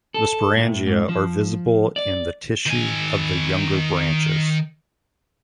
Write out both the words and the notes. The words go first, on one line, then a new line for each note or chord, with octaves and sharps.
The sporangia are visible in the tissue of the younger branches.
A4
A2
G#2
F3
D5
D#3 G#5